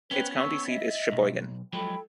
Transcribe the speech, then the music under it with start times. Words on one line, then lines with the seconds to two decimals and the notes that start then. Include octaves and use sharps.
Its county seat is Sheboygan.
0.11 B3 C#4 B4 C5 G5
0.37 A5 C#6 E6
0.65 D#5 E5
1.12 B1
1.73 F3 F#3 G#3 A4 G5 B5